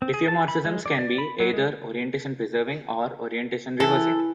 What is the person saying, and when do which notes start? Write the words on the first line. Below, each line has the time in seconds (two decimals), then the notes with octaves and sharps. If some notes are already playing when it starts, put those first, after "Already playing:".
Diffeomorphisms can be either orientation preserving or orientation reversing.
0.02 C4
0.14 G#4
0.28 A5
0.48 B5
0.65 G#3
0.86 D5
0.99 D5
1.18 B5
1.40 F#3
1.53 G#3
3.80 E3 A4